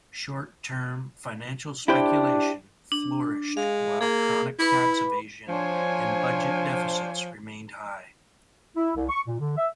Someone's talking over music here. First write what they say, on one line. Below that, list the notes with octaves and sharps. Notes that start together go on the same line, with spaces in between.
Short-term financial speculation flourished, while chronic tax evasion and budget deficits remained high.
D4 E4 G4 C5
D4
G#3 F5
A#3 G#4
E4 B4 B5 D6
F3 D4 C5 C#5 G#5
E4
C2
C#6
A#2
D3
E5